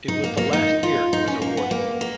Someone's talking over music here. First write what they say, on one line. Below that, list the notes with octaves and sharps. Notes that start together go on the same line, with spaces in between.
It was the last year it was awarded.
D#4
A#3
A#3
D#4
F4
D#4
C#4
A#3
B3
A#3
A#3